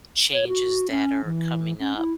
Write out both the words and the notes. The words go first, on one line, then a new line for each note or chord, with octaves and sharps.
changes that are coming up
C#5
F#4
C#4
E3
C#4
E4